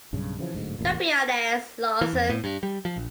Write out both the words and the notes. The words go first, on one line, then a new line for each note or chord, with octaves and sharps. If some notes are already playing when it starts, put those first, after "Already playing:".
Don't be an ass, Lawson.
B1 G2 C#3
C#3 E3 F3
D1 D2 G#2
E1 A1 A#2
E3
F2
A2
G2
G3
F3
A#1